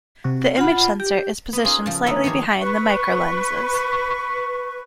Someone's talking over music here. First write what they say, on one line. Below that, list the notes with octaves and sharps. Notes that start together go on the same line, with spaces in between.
The image sensor is positioned slightly behind the microlenses.
C3 F#4
F4 F#5 B5
A5
G4 G5
B3
A#3 C#4 D#4 F4 G#4
C#3 F3
D3 A3 B3 C#4 D#4 E4
D#3 F3 A#3 G#4 C#5
B4 C#6